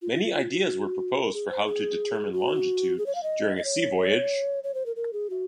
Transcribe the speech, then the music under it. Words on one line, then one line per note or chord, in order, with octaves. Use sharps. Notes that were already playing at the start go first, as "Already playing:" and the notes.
Many ideas were proposed for how to determine longitude during a sea voyage.
F4
F4
F4
F4
F#4
A#4
G#4
C5
G#4
F#4
G#4
C#5
F5
D#5
D#5
C#5
C#5
C5
A#4
A#4
G#4
F#4